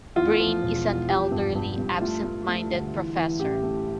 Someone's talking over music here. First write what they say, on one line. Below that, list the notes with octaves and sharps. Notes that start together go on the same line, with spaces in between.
Brain is an elderly absentminded professor.
E2 F4
F3
E1
E2
F3 G4
G2
G2
G2
A3 F4
A3
A3
D2
E3
E3
A1 G4
A3